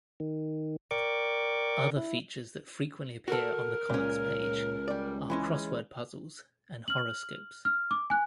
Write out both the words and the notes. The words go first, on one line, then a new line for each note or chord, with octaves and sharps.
Other features that frequently appear on the comics page are crossword puzzles and horoscopes.
D#3
A#4 D5 G5 C#6 D6
E4
F#4 A4 A#4
C#2 A#2 C#4
G3 D5
E3 G#3 C#4
F6 F#7
F6
D6
G#5 F#6